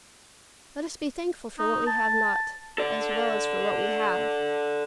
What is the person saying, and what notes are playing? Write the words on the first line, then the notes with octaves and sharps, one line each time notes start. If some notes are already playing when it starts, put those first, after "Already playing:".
Let us be thankful for what we have not, as well as for what we have!
D#4
A5
A4 D5